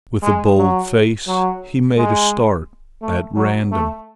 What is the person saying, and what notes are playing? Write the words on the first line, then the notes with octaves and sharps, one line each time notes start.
With a bold face, he made a start at random.
G#3
F#3
F#3
G#3
A3
F#3
A3